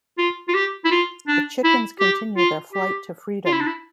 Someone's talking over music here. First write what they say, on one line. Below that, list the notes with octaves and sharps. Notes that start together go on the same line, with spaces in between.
The chickens continue their flight to freedom.
F4
F4
G4
E4
F4
D4
E4
G4
F4
G4
F4
E4
D4
E4